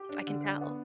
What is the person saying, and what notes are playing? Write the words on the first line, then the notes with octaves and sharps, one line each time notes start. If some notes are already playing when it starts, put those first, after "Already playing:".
I can tell.
Already playing: G4
D4
D3
D4
B3